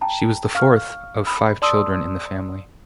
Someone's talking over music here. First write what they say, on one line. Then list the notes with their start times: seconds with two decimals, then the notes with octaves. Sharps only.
She was the fourth of five children in the family.
0.01 G5 A5 A#5
0.55 F5 C#6 F6
1.27 B5
1.62 D5 A5 C6 D#6 E6